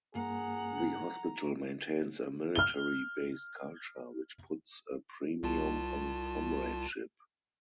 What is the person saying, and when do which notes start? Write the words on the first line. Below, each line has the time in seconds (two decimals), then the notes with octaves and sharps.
The hospital maintains a 'military-based culture which puts a premium on comradeship'.
0.15 G2 A#3 G#4 F#5 A#5
2.55 F6 G7
5.43 C2 F4 A5